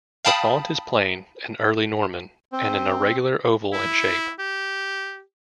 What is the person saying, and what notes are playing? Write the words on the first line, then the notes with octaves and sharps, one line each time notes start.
The font is plain and early Norman and an irregular oval in shape.
F5 G5 A5 B5 D#6
C4
E4
G4